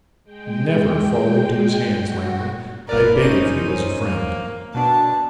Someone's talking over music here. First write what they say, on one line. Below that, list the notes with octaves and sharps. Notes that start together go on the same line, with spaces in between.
Never fall into his hands, Lammle, I beg of you as a friend!'
G#3 G5
F#4
G1 A#4 B4 D5
C#4 D#4 C5 D#7
A#3
B2 D4 A5